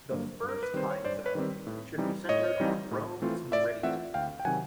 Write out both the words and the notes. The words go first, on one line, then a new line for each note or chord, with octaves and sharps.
The first time zone should be centred on Rome's meridian.
G2 D3 F#3 A#3
G2
A#4
B4
D#3 G3 C4 C5
C#5
G2 C5 D5
B4 C#5
D#3 G3 C4
A2
E3 G3 C4 D#4
A2 C#5 D#5
E3 G3 C4 D#4
A2
E3 A3 C4 F4
A2 D5 E5
E3 A3 C4 F4 E5 F#5
D2 F5 G5
G5
C3 D#3 F#3 F#5 G#5